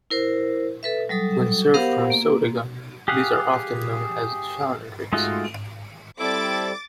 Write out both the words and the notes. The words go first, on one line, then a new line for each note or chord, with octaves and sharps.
When served from a soda gun, these are often known as fountain drinks.
E4 A#4 C5
A4 B4 E5
F#3 G3 A4 D#6
B3 G4 A#4 C5 F5 F#5
A#3
G4 G#4 F5 F#5
G#3 A3 D#4 F4 F#4
G3 C4 E4 A4 D6 A6